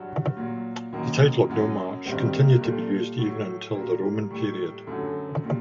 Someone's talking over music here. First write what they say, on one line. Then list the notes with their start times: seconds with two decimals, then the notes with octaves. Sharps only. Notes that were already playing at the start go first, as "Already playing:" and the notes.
The title of nomarch continued to be used even until the Roman period.
Already playing: G2 F#3 F#4
0.37 A#2 F#3
0.93 F#2 D#3 F#3 A#3
1.49 F#2 F#3
2.06 G2 D#3 G3 C4
2.34 A#3
2.62 A#2 G3 A3
3.18 A2 F#3
3.75 A#2 G3 A#3
4.31 A2 G3
4.87 F#2 D3 F#3 A3
5.44 A#2 G3